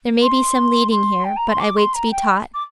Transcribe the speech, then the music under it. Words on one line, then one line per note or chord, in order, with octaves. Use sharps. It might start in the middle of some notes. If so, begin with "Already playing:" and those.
There may be some leading here; but I wait to be taught.
C6
C6
G5
A#5
C6
D6
C6
A#5
G5
D6